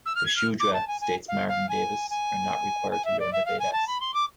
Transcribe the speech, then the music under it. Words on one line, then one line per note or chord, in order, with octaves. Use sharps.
The Shudra, states Marvin Davis, are not required to learn the Vedas.
E6
F6
G#6
F6
D6
A5
G#5
G#5
F5
F5
G#5
G#5
G#5
E5
D5
E5
F5
G#5
A5
B5
C6
D6